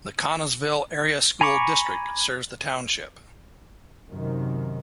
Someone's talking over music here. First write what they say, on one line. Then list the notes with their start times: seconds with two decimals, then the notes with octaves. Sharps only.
The Connellsville Area School District serves the township.
1.41 G#5 A#5 B5 C#6 D6
4.07 F#2 C3 D#3